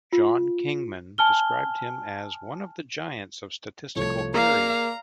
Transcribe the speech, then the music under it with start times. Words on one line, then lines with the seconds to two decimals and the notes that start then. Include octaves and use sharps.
John Kingman described him as "one of the giants of statistical theory".
0.13 F4
1.18 G#5 A5 F6 G7
3.96 C2 F3 A3 C#5
4.34 A#3 G#4 D5 F5 A#5